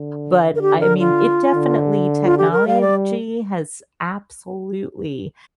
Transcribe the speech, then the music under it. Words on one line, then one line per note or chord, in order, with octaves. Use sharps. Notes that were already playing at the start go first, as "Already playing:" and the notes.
But, I mean, it definitely Technology has absolutely
Already playing: D3
D3
A#4
G4
A#4
F4
D3
F4
G4
A#4
G3 F5
D5